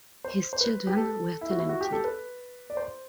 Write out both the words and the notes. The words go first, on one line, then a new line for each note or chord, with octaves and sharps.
His children were talented.
C5
C5
B4
G4
A4
E4
F#4
E4
F#4
G4
A4
B4
D5
C5